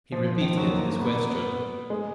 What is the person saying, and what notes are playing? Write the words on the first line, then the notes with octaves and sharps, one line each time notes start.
He repeated his question.
F3
F3
D#3
F#3
A#3
A#3
B3
B3
G#3